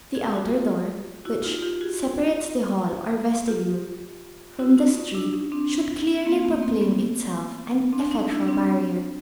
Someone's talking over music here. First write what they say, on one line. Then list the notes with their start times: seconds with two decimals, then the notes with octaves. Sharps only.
The outer door, which separates the hall or vestibule from the street, should clearly proclaim itself an effectual barrier.
0.15 G#4
0.25 G4
0.35 F#4
0.45 F4 G4
1.25 E4 F#4
1.44 D#4 F4
1.62 F4 G4
1.81 F#4 G#4
3.48 F4 G4
4.59 E4 F#4
4.78 D#4 F4
4.96 C#4 D#4
5.15 D4 E4
5.33 C#4 D#4
5.52 C4 D4
6.26 A#3 C4
6.45 A3 B3
6.63 A#3 C4
6.81 B3 C#4
7.93 C4 D4
8.11 C#4 D#4
8.30 D4 E4
8.48 C4 D4